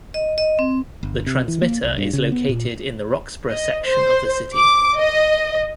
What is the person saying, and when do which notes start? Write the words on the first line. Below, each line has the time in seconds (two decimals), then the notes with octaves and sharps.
The transmitter is located in the Roxborough section of the city.
0.14 D#5
0.38 D#5
0.59 C4
1.03 G1
1.26 C3
1.48 E3
1.62 A#3
1.83 C2
1.98 G2
2.13 C#3
2.32 B3
2.49 A#2
3.49 D#5
3.84 C5
4.53 D6
4.96 D#5